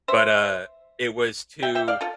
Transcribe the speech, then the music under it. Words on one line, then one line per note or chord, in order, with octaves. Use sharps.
but, uh, it was too
C5 E5
E5 G5
E5 G5
D5 F5
F4 A4